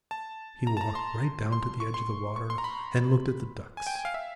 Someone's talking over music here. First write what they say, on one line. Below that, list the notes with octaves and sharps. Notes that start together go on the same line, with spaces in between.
He walked right down to the edge of the water, and looked at the ducks.
A5
A#5
A5
A#5
C6
C6
C#6
C6
C#6
C6
A#5
B5
G#5
G5
G#5
F5
E5